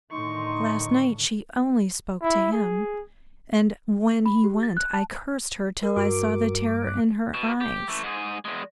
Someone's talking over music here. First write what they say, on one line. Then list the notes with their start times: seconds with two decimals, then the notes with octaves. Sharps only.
Last night she only spoke to him, and when he went I cursed her till I saw the terror in her eyes.
0.12 A2 D3 D#3 D#4 C6 C#6
2.22 E4
2.52 G#4
4.26 B5
4.44 G4
4.63 A6
4.77 F#6
4.94 A5
5.83 A#4
5.96 G2 F#4 A#4 D6
6.88 F#6
7.34 B2
7.61 G4
7.88 E3 A3
8.04 G#2 G#4
8.45 E2 G#3